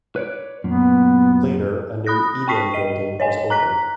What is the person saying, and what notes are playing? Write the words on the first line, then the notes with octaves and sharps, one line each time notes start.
Later, a new eat-in building was opened.
B4 C#5 D5
F#2 A#2 B3
B5 D#6 F#6 A#6
G5 A5 C#6 B6 C7
D#5 D#7
C#5 D#5 G#5
A#5 F#6 B6